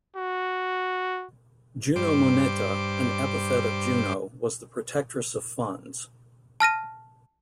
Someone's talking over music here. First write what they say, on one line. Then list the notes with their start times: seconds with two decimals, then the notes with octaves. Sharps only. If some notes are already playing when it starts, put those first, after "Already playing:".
Juno Moneta, an epithet of Juno, was the protectress of funds.
0.16 F#4
1.96 G2 C5 D6
6.60 A5 F6 A#6 D#7